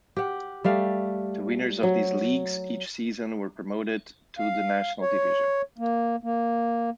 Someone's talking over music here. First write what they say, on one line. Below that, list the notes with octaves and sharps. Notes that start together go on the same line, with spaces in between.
The winners of these leagues each season were promoted to the National Division.
G4 F#5
G3 A3 F5
F#3
F5
C#5
A#3
A#3